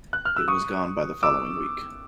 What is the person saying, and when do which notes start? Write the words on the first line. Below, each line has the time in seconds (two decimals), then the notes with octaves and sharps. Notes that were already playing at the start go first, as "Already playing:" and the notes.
It was gone by the following week.
0.13 F#6
0.25 F6
0.36 E6
0.48 C#6 D#6
1.23 D6 E6